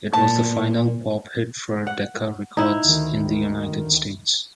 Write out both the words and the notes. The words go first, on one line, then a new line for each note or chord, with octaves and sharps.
It was the final pop hit for Decca Records in the United States.
A#2 A5
F#5
D#4 E4
D2 D#3